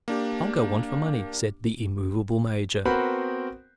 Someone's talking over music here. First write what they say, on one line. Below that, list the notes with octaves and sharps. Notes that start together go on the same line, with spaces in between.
"I'll go on for money," said the immovable major.
A#3 D4 G4
B3 C4 F#4 A#4 C5 B5